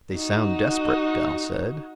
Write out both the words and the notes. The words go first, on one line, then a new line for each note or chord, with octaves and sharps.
"They sound desperate," Dal said.
D#4 F#4